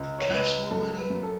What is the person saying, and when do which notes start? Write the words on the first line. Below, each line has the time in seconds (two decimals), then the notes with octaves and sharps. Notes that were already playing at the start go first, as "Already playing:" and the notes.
can I have some more money?"
Already playing: C#2
0.19 C#5
0.30 C#2 B4
0.71 F#2 A4
0.97 B4
1.10 F#2
1.23 A4